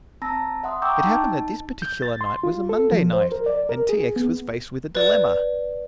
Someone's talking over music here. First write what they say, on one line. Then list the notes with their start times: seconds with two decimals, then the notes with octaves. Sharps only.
It happened that this particular night was a Monday night and T. X. was faced with a dilemma.
0.22 C4 A5 A#5 E6 A#6
0.63 E5 F#5 C6 D#6
0.82 G5 A#5 C#6 D6 E6 G6
1.05 D#4 A5
1.82 G6
2.02 A6
2.21 C6
2.43 F4
2.69 A4
2.92 F3
3.13 C5
3.32 A#4
3.46 D5
3.69 A#4
3.89 G#4
4.16 B3
4.95 B4 D5